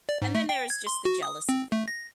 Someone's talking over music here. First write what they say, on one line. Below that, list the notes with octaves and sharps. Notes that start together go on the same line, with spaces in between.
and then there is just the jealousy thing.
D5
G#2
A3
G5
G#6
C6
F#4
D#6
C4
A3
A#6